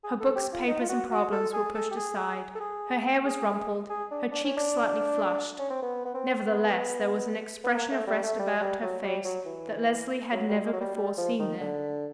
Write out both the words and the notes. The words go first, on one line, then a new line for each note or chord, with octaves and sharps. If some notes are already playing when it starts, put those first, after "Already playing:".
Her books, papers, and problems were pushed aside; her hair was rumpled, her cheeks slightly flushed; nevertheless, there was an expression of rest about her face that Leslie had never before seen there.
G#4
A4
G4
F4
D#4
F4
F#4
F#4
A4
G#4
A4
G4
G#4
A4
G#4
G#4
G#4
D4
D4
C#4
D4
C#4
C4
B3
B3
C4
B3
B3
A#3
A3
G3
A3
G3
G#3
G3
F#3
G3
F#3
E3
F#3
G3
G#3
F#3
G3
G3
F3
D#3
D3